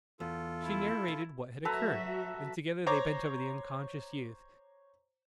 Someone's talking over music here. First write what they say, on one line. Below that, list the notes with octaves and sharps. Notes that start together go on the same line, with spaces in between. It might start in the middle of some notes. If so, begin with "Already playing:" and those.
She narrated what had occurred, and together they bent over the unconscious youth.
E2 F4 A4
E4
A5
F#3 F#4 A4 B4 E5 A#5
C5 C#5 A#5 D6